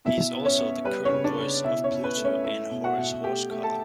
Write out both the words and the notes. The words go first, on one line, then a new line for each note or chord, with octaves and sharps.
He is also the current voice of Pluto and Horace Horsecollar.
B2 E4 E5
B3
C#4 C#5
B3
G3 B4
C#4 C#5
C#3
D4 D5
C#3
B2 E4 E5
C#4 C#5
B2
B4
A3
C#4 C#5
A3 E4 E5
B2
F#4 F#5
B2
A3 G4 G5
A3
A4 A5